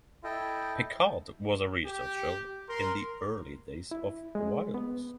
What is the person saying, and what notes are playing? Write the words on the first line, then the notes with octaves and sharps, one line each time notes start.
Pickard was a researcher in the early days of wireless.
E4 A4 D#5 G5
G4
A#4 C6
E4
G#3
B3